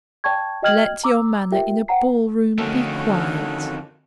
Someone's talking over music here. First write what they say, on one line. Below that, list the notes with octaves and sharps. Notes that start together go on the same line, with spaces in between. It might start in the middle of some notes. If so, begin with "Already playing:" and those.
Let your manner in a ball room be quiet.
D5 G5 A5 C#6 G#6
F#4 D#5 G5 F6 G#6 F#7
A#5 D6 E6
F4 G4 A#4 E5 G5
C5 F#5 G5 A#5 C7
F2 D3 D#3 A3 C#4 F#4 A4